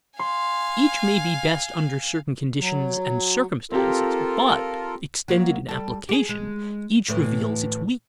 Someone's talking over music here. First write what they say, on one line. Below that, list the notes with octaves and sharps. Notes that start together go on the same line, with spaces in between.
Each may be best under certain conditions and circumstances, but, extended in application, each reveals its weaknesses.
F5 G#5 C6
F#3
C4 F4 G4 A4 A#4
F#3 A#3
G3 A4
G4 G#4
G#3
D2 A2 E3